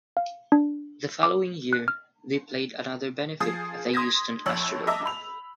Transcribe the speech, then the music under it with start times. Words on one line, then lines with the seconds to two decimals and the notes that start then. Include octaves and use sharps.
The following year, they played another benefit at the Houston Astrodome.
0.17 F5
0.52 D4
1.23 D6
1.73 F#6
1.88 F6
3.40 F3 G#4 D#6 C7
3.94 C6 D#6 G#6 A#6 B6
4.46 A#1 F2 C#5 E6 F#7
4.87 D#5 E5 A5 A#5 D6 E6
5.06 B5 F7